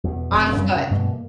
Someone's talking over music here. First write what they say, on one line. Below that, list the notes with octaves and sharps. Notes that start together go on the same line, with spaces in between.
On foot,
E2 B2
E1 F2 E3 C4
F#2 C#3 G3 C4
C#3
G2 B2 E3 A3
A#3